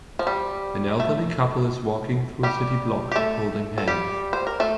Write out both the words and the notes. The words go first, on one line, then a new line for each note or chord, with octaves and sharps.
An elderly couple is walking through a city block, holding hands.
F3
G3
A3
G3 G4
G4
A3 A4
A4
G3 G4
C5
A#4
A3 A4